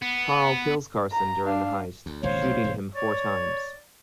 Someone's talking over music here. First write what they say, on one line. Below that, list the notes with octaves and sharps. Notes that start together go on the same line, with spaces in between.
Karl kills Carson during the heist, shooting him four times.
B3
A#5
D4 F5
D2
D#1 G#1 C#2 C5 C#5 F5
B1 F#3 A3
E1
C#5 D5